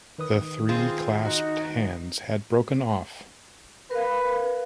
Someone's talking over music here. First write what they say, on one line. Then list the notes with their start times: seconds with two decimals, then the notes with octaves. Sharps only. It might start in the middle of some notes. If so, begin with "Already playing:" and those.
The three clasped hands had broken off.
0.18 D#3 B4 D#6
0.69 C4 F4 G#4
1.25 D#4 F#4
3.91 A#4 B4 F5